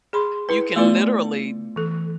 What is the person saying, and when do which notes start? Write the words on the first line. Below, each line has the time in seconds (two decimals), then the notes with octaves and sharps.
you can literally
0.13 G#4 B5 C6
0.49 E4 B4
0.76 A3 B3 E4 F4 D5
1.76 E3 A4